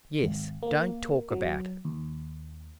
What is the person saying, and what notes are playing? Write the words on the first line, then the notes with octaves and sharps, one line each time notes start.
"Yes; don't talk about it."
G#1
A#3
F#3
D#2